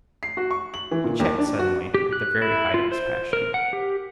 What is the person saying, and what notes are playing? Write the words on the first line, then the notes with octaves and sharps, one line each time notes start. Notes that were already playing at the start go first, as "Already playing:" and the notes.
He checked suddenly at the very height of his passion.
C7
F#4
C#6
F#7
E3
A#2
D#2
D4
F#4
G4
F#6
E4
F4
C5
A#4
F#5
G4